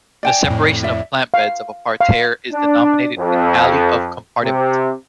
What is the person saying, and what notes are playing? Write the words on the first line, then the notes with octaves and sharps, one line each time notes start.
The separation of plant beds of a pareterre is denominated an "alley of compartiment".
D5 G5 G#5
F2 A2
D5 E5
F5
F5
D4
F2
C3